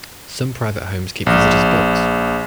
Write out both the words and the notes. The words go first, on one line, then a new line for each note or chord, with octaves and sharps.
Some private homes keep visitors' books.
A#1